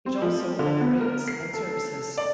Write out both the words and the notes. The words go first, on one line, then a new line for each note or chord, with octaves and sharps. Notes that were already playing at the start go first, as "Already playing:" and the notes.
It also operates and services.
C4
F3
D3
B3
A#4
C7
A4
D5